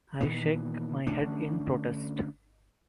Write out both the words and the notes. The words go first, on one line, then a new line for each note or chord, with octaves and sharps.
I shake my head in protest.
A#2 D#3 E3 B3
D3 A3 C#4 D4